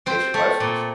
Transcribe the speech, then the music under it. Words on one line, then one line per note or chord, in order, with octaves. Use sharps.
basic lessons,
C4 C5
A3
A#2